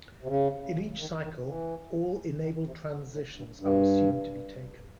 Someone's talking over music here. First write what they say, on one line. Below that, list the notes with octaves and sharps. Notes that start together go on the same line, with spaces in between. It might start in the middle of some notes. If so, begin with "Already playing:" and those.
In each cycle, all enabled transitions are assumed to be taken.
C3
C#3
D#3
D#3
E3
D#3
C3
D3
A2
G2
G2